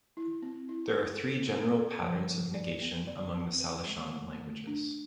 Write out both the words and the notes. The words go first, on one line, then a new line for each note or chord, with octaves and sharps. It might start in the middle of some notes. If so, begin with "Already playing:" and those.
There are three general patterns of negation among the Salishan languages.
E4
C4
E4
A4
A4
C4
A4
F3
F3
D5
B3
D5
C4
B4
G#3
A3
A3
D4